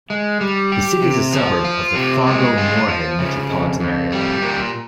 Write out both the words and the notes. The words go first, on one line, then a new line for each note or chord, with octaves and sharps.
The city is a suburb of the Fargo-Moorhead metropolitan area.
G#3
G3
G4
C3
F3
F4
C3
G#3
F4
F3
C#3
F2
F2
G3
A#2